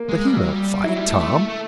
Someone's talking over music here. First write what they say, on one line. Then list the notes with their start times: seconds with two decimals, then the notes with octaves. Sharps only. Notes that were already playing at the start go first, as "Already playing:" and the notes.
"But he won't fight, Tom."
Already playing: A#3
0.09 G#3
0.27 G3
0.37 F#3
0.48 G3
0.84 F#3 E4
0.97 G3
1.09 A3
1.21 A3
1.49 A3